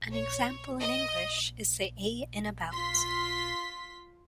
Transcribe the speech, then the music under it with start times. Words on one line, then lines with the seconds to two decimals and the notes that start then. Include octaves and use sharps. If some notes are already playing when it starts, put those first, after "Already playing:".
An example in English is the "a" in "about".
0.12 C#5
0.79 D#5
2.72 F4 C6 B6